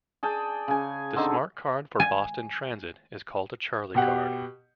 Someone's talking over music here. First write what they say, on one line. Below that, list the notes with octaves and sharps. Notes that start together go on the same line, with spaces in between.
The smart card for Boston transit is called a "CharlieCard".
G#4 D5 G5 A5
C#3 G#5
D3 C4 D4 D#4
G#5
B2 G4 F#5